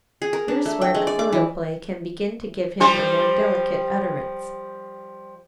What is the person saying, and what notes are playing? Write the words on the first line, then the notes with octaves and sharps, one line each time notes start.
Here is where the photoplay can begin to give him a more delicate utterance.
G#4
A#4
D4
A3
G5
G#3
D5
D6
E3
F3 G3 C5